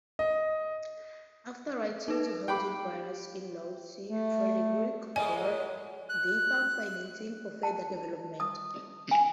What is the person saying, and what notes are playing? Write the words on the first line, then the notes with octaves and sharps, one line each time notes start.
After writing to Hilgen's brother-in-law, C. Frederick Boerner, they found financing for further development.
D#5
D#4 A4 B4
G4 G5 B5 D6
A3
F#2 A2 G#3 D#5 G#5
F#6
A5
D#6
G#5